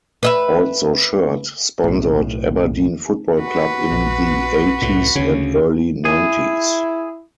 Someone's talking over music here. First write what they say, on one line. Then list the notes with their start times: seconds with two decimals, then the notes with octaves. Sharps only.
Also shirt sponsored Aberdeen Football Club in the eighties and early nineties.
0.23 B4 D#5 E5
1.84 B1 A2
3.40 F#4 B4
3.92 A#1
4.82 C2 A2
5.16 D2 C#3 C#4
6.05 E4 G#4